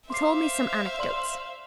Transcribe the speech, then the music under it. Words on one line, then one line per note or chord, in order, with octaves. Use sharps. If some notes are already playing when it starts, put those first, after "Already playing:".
He told me some anecdotes.
C5 E5 F5 C6 D6 C7
D5 C6 F#7